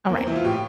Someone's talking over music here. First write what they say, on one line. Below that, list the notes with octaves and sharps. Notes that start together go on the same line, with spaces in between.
Alright. Bye-bye.
E2 A#3
C4
E3 E4
F4
A2 G4